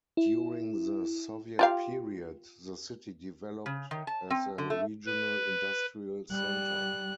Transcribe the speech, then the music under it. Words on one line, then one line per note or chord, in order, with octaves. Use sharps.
During the Soviet period, the city developed as a regional industrial center.
E4
F4 G4 F5
C#3
D#3
A5
C4
D3
A3
B4
G3 F#6